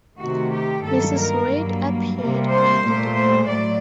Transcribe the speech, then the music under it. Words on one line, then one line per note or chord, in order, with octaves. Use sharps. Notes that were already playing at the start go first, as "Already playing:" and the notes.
Mrs. Reid appeared behind the bar.
C3 D#3 A3 F#4
G4
G2 D#3 F#3 A#3 A4
A#4
G2 F#3 A#3
C3 G3 A#3
C5
A#2 A3
C5
A2 F#3 D5